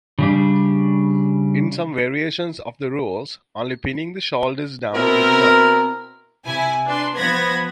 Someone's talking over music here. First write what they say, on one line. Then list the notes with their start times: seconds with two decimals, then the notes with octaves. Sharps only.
In some variations of the rules, only pinning the shoulders down is enough.
0.19 C#3 G3 D4
4.94 B2 C4 E4 A#4
6.45 C3 E4 G#5
6.86 D4 B4 C6
7.16 F3 B3 C5 B5 G#6 A#6